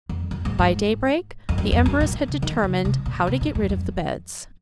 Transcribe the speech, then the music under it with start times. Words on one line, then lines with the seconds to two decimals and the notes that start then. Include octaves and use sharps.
By daybreak the empress had determined how to get rid of the beds.
0.09 F2
0.31 F#2
0.45 G#2
0.59 G#2
1.49 F2
1.58 F#2
1.72 F2
1.86 F#2
2.00 A#2
2.28 C#3
2.42 D#3
2.64 C#3
2.85 C3
3.06 A#2
3.27 C3
3.41 A#2
3.55 F#2
3.69 F2